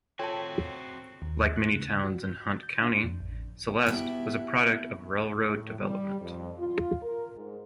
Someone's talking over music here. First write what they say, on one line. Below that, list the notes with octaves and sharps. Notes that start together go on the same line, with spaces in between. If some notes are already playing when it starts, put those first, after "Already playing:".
Like many towns in Hunt County, Celeste was a product of railroad development.
C4 F4 F#4 A4 C#5 G5 A5
D#2
F#6
C#3
F#4
G6
A6
G6
D4
F2
A1
B2 E4 G4
A2
G3
F2
F4
A#4
G#2